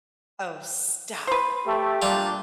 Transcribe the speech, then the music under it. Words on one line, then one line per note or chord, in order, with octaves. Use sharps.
Oh, stop!
B4 C5
A3 G4
A#2 G3 D4 F4